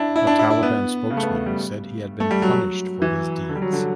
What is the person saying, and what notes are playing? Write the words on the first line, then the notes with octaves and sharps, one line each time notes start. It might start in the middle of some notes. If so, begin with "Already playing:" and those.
A Taliban spokesman said he had been "punished for his deeds".
Already playing: D4 E4
E4
D4
E4
E4
B3
C#3
A3
B3
A3
G3
A3
G3
F#3
E3
D3
G3
F#3
D3